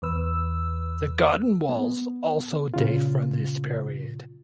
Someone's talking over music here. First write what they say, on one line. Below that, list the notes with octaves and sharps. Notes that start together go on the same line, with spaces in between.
The garden walls also date from this period.
E2 B4 E6
B3
A#2 C#3 F4